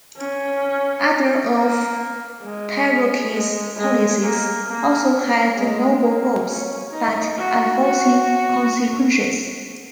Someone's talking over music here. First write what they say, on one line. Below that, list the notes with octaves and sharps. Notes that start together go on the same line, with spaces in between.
Other of Terauchi's policies also had noble goals but unforeseen consequences.
C#4
A#3
G#3
G#3
G#3
A#3
A#3
C#4
G#3
A#3
C#4
D#4
F#4
F#4